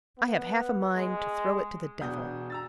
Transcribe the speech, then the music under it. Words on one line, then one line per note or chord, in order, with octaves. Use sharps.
I have half a mind to throw it to the devil.'
B3
G#3
E1 B2 D4 F#4 D#6 G6
A#5 E6 A6